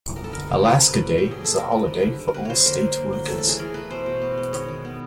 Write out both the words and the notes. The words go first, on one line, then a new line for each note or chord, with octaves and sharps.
Alaska Day is a holiday for all state workers.
B3 A#4
A4
D3 A#4
G#3
F3
B2 B4
B2
A3
G4
F#3
G#4
A#3 A4
C3 A#4
G3 B4
D#3
D3
D3
A#4
A#3 B4
F#3 C5 C#5
D3 A#4
D3
A#3
F#3
A3 A4
A4
E3
G#4
E3 A#4
A3 B4
B2 C5
B2
B3
G#3
D#3 C#5
D#3
B3